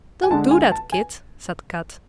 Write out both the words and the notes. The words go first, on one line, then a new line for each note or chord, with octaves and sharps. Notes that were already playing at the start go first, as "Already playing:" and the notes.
"Don't do that, Kit," said Kat.
G#5
D3 G#3 D4 A5
G#5
A5
G#5